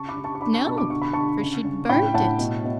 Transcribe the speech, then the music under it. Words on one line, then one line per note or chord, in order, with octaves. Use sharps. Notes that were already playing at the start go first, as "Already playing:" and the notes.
'No! for she'd burnt it.'
Already playing: C#3 A5 C#6
B5 D6
C#3
A5 C#6
C#6
D4 B5 D6
A5 C#6
B2 A5 C#6
D6
D3 C#6
B5
D3 A5 C#6
C#3
C#3
A2 G5 B5
A2 F#5 A5
B2
B2